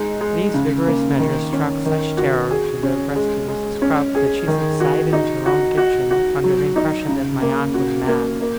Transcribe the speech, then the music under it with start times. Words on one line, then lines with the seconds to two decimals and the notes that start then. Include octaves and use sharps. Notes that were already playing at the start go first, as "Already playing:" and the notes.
These vigorous measures struck such terror to the breast of Mrs. Crupp, that she subsided into her own kitchen, under the impression that my aunt was mad.
Already playing: G#3 D#4
0.21 G#3
0.54 C#3
0.87 A#3
1.19 D#3
1.53 C#4
1.85 D#3
2.17 F#4
2.51 G#4
2.83 C#4
3.16 G#3
3.48 G#3
3.82 C#4
4.15 G#4
4.47 D#3
4.80 F#4
5.13 D#4
5.46 F#4
5.77 F#4
6.11 F#4
6.44 F#3
6.76 D#4
7.08 C#3
7.41 A#3
7.74 F#4
8.07 A#3
8.41 A#3